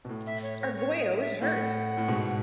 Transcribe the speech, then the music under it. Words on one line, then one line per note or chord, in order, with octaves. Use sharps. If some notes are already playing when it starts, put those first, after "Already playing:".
Arguello is hurt!!
B2
A2
E5
C#5
C#5
C#5
D#5
E5
A2 F#5
A2
G#2 B2